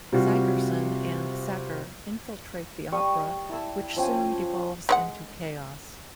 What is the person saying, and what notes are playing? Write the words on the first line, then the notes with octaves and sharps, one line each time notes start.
Sigerson and Sacker infiltrate the opera, which soon devolves into chaos.
C3 G3 F4 F#4
G3 C#6 D#6
E4 A5 E6
F3 C#4 G5 G#5
G#3 C#5 F#5